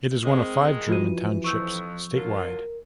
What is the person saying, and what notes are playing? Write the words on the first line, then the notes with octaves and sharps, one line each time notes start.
It is one of five German Townships statewide.
D#3 G#3 C4
E3 F3 F4 F#4 D#7
F2 C#6 E6 G6
D3 F#3 F4 A#4